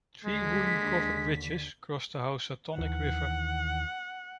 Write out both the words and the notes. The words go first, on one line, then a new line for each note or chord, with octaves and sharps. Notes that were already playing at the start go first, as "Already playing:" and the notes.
Three wooden covered bridges cross the Housatonic River.
D#2 D3 G#3 B6
D#2 D#3 E3 F#5